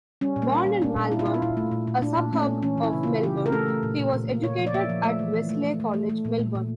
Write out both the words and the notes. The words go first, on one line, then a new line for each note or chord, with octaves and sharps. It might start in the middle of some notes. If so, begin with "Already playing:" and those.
Born in Malvern, a suburb of Melbourne, he was educated at Wesley College, Melbourne.
G3 C#4
A#2
A#3
G3
G3
A#3 D4
A#2
A#2 E4
F4
A#2 E4
F4
A#2 E4
A3
A#2
A#2
A#2 D4
A#2
A3 C#4
A#2
E3 C#4
E3
E4
C#3
C#3 F4
E3 G4
C#3
A#4
A3 A4
A3
A#2
A#2
A#2
A#3
A#2 C#5
F3
D5
A#3 E5
F3
A3 E5
E3
E3
A3
A3
A3
A3
A3
A#2
A#2
A#2